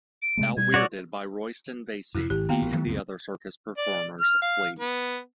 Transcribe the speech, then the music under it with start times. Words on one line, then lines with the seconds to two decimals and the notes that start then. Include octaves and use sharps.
Out-weirded by Royston Vasey, he and the other circus performers flee.
0.22 D7
0.37 C3 G#3 A3
0.57 B2 G3 G#6
0.74 F#4 C#5 D5
2.15 F2 C3 E4
2.30 G#1 G4
2.49 D#3 A#3 B3 F5 G5
2.62 A1
2.73 D#3 F#3 A3
2.85 C#2 F#2 C4
3.78 D5
4.21 F6
4.42 F5
4.79 B3